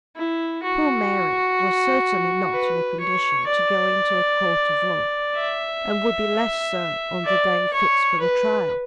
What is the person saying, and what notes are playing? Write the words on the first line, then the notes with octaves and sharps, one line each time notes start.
Poor Mary was certainly not in a condition to go into a court of law, and would be less so on the day fixed for the trial.
E4
F#4
B4
C#5
D5
E5
D5
C#5
B4